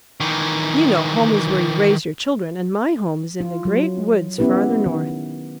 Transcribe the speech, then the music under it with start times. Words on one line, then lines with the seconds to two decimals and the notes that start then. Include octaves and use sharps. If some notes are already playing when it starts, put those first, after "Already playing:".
You know home is where you raise your children, and my home is in the Great Woods farther north.
0.20 D#3 E3
3.41 F4
3.65 F#3
4.38 B3 C#4 E4 G4 B4
4.86 D#3